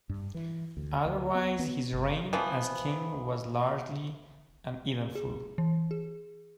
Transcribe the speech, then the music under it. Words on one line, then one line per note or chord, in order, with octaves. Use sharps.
Otherwise, his reign as king was largely uneventful.
G2
E3
D2
D2
B3
B3
G1
E3 F3 B3
G#4
E3
G#4